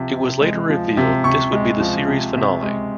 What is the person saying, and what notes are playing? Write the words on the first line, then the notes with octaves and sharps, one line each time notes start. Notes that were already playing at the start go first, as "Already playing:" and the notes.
It was later revealed this would be the series finale.
Already playing: C3 F3
C3
G#3
F3
C3
C3 C#6
G#3
F3
C3
C3
G#3